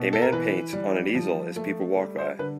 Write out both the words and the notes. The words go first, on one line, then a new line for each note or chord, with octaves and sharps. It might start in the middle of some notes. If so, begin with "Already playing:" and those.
A man paints on an easel as people walk by.
Already playing: B2
A4
A#4
E3 B4
G3
F3
A3
G3
C5
D3 B4